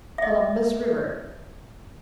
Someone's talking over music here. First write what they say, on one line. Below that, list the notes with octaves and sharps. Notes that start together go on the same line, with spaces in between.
Columbus River.
D#5 E5